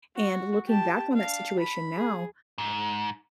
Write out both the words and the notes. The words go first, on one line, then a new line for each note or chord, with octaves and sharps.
And looking back on that situation now,
F#4
G4 A5
D4 F5
B5
G#4
G#2